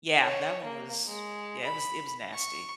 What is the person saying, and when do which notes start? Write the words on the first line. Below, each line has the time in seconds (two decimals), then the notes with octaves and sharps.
Yeah, that one was yeah, it was it was nasty.
0.21 C#5
0.64 A#3
1.07 G#3
1.64 B5
2.34 C#6